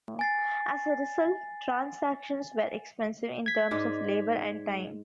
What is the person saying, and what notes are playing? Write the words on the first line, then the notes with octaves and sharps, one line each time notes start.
As a result, transactions were expensive in terms of labour and time.
G#5 A6 C7
G#6 B6
G#2 G#3 D5